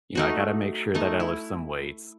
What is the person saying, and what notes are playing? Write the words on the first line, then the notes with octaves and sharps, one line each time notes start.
You know, I gotta make sure that I lift some weights,
A3 D#4 F#4
A3 D#4
E4